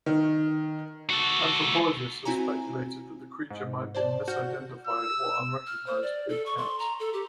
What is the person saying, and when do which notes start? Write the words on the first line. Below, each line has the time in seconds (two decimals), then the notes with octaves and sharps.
Anthropologists have speculated that the creature might be a misidentified or unrecognized big cat.
0.06 D#3
1.10 F#4 A4
2.25 C4 E4 F#4 G#5 A#5
3.51 G#2
3.95 C5 D5 A5
4.28 F#4 F#5 F6 G6
4.87 E6
5.67 F6
5.86 C5
6.02 D5
6.29 A4
6.46 C#6
6.57 C6
6.79 A#5
7.00 A4
7.13 G4